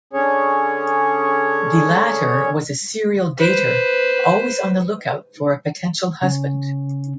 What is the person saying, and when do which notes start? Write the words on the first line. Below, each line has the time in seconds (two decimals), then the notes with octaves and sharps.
The latter was a serial dater, always on the lookout for a potential husband.
0.13 D3 C#4 G#4 C#5
3.38 B4 C5
6.22 C#3 C#4